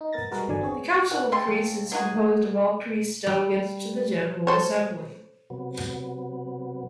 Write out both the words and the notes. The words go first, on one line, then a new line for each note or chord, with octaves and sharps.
The Council of Priests is composed of all priest-delegates to the General Assembly.
D#4
B3 A#4 A6 A#6
G3 G#3 F#4 G#4 A#4 B4
G1 E2 D3 F#3 D5 G#5
B3 C4 G#4 C#5
F#5
C#3 C4 A4 C6
F#3 D#4 F#4 G#4
G3
A4 C5 C#5
C3 F#3 B3